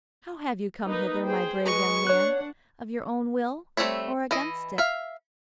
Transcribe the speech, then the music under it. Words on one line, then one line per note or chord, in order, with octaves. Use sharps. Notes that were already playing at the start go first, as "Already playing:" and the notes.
"How have you come hither, my brave young man--of your own will or against it?"
A#3 D#4 B4
G#4 C5 G5
G#3 B4 D#5 C#6
D4 C#5 F#5 F#6
G3 A3 C4 C#5 E5
E3 E4 D#5
E5 F5